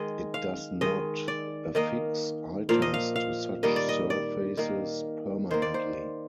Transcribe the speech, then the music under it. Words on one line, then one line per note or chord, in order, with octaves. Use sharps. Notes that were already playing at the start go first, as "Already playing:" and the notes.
It does not affix items to such surfaces permanently.
Already playing: D#3 G#3 D#5
F5
D#3 G#3 D#5
D5
D#3 A#3 D#5
A#2 F3 A#3 F5
D#5
F5
F5
D#3 G3 A#3 D#5
D5
D#5
D5
D#3 A#3
D#3 A#3 C5
D5
C5